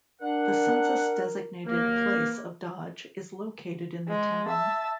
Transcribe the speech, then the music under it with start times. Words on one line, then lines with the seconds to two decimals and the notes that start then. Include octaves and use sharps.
The census-designated place of Dodge is located in the town.
0.22 D4 A#4 F#5
1.67 D#2 F#3 A#3
2.11 B4
4.08 G#3
4.46 E5 A5